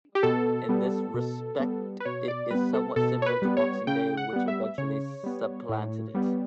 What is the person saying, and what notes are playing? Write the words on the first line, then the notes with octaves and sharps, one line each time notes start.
In this respect it is somewhat similar to Boxing Day, which eventually supplanted it.
G4
B2 A4
G3 B3
B2
G3 B3
B4
B2 C#5
D5
G3 B3 B4
A4
B2 A4
C#5
B4
G3 B3
C#5
C#3 G5
F#5
G3 B3
E5
C#3 C#5
G3 B3
A2
G3 B3